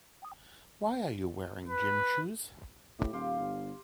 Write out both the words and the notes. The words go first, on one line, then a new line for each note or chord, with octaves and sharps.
Why are you wearing gym shoes?
B4
A2 G4
D#1 G4 F5 C6
G1